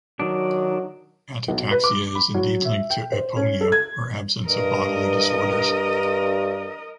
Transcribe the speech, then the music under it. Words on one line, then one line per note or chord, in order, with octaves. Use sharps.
Atataxia is indeed linked to aponia or absence of bodily disorders.
D#3 F#3 D4
B1
B4
D6
B5
F#3
E5
G5
C5
C#4
A4
G#6
G2 A#4 D#5